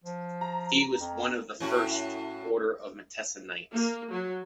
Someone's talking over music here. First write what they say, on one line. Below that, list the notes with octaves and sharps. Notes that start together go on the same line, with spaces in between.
He was one of the first Order of Montesa knights.
F3
A#5
F2
A2 C#4 E4 F#4
A#3
F#3